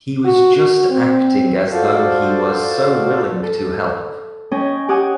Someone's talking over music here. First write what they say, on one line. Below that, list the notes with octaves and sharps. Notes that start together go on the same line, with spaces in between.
He was just acting as though he was so willing to help.
F#4
F#4
C4
F4 F#4 A4 C5 D5 F5
A4
C#4 D#5 G5 G#5
G4 F#5 G#5 D#6